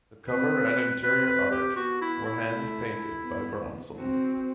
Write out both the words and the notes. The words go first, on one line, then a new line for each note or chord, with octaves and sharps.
The cover and interior art were hand painted by Bronson.
C4 B4
C4 B4
B4
G4
B3 F#4
E4
E4
A3
B3
C4 F#4